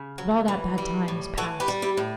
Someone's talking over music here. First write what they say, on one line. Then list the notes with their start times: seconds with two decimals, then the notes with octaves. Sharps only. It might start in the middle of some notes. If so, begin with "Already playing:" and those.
But all that bad time is past.
Already playing: C#3
0.18 F#3
0.48 E3
0.78 G3
1.08 A2
1.37 E3 F#4 A4
1.60 G4 B4
1.68 G3
1.82 E4 G4
1.97 A2